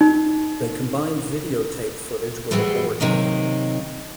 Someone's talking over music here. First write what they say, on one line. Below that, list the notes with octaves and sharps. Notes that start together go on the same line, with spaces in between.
They combined videotape footage with a board game.
D#4
A2 E3 G3 G#4 C5 F#5
C3 D#3 F#3 A#3 D#5